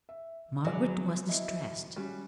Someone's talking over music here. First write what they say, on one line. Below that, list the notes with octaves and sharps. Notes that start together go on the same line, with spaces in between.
Margaret was distressed.
E5
F#3 G#3 D5
E4 D#5
G3 C#4 F#4